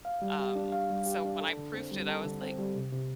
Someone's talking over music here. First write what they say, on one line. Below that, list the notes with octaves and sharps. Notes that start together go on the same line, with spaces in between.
um, so when I proofed it, I was like,
F5
G3
G4
D4
F5
G3
G4
D4
A4
D3
C4
G3
A4
D3
C4
G3
C3
C3